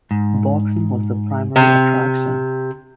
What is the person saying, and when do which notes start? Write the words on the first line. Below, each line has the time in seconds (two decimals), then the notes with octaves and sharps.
Boxing was the primary attraction.
0.11 G#2
1.56 C3